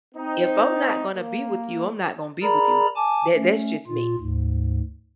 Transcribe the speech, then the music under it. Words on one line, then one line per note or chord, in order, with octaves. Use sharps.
if I'm not gonna be with you, I'm not gon' be with you. That that's just me,
C4 D#4
A#3
G#4 A#4 D5 A#5 B5
G#5 A5 D6
A3 C#4
A#2 F4
D2 G#2